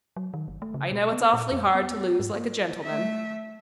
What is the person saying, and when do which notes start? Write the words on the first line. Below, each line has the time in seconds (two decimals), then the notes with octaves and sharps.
"I know it's awfully hard to lose like a gentleman."
0.16 F#3
0.34 D#3
0.48 G1
0.62 A3
0.74 C#3
0.91 B2
1.12 B3
1.33 A#2
1.52 F2
1.75 B3
2.19 G#2
2.36 A#3
2.82 A3 E5